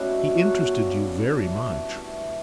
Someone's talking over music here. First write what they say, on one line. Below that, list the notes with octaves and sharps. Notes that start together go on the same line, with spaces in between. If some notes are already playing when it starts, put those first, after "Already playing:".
He interested you very much.'
Already playing: B2 G3 A3 B3 C#4 E4
F#3 B3 F#4
C#3 G3 C#4
E3 B3 D4 F#4
E3 A3 E4 G4